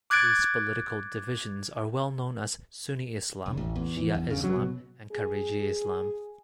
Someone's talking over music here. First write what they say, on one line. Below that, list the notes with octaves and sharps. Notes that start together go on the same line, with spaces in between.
These political divisions are well known as Sunni Islam, Shia Islam and Khariji Islam.
D6 F#6 G#6 A6 D7
E1
A1
E2
E3
E2
C#3
F#3
B2
G#4